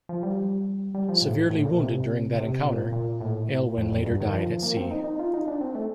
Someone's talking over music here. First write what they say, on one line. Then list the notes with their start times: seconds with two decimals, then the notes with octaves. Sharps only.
Severely wounded during that encounter, Aylwin later died at sea.
0.09 F3
0.23 G3
0.94 G3
1.09 F3
1.22 A2
1.50 A2
1.65 A#2
1.79 C3
2.36 C3
2.64 A#2
2.92 A#2
3.21 A2
3.77 F2
3.92 F2
4.06 G2
4.20 D#3
4.34 F3
4.63 A#3
4.77 C4
4.91 D#4
5.04 D#4
5.19 F4
5.34 D#4
5.48 D4
5.61 C4
5.75 A3